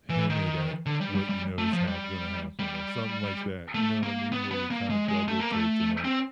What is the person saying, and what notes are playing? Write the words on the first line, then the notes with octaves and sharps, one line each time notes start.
hinted at what you know is ha gonna happen or something like that, you know what I mean? Where you're kinda double taking it.
E3
D#3
D3
G3
G3
G3
A3
F3
G3
G3
A3
A#3
B3
B3
A#3
G#3
G#3
A3
A#3
A3
C4